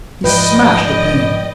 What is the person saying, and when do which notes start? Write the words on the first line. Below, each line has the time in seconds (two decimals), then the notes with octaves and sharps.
He smashed a pane.
0.24 G#2 F3 B4 D5 D#5 G5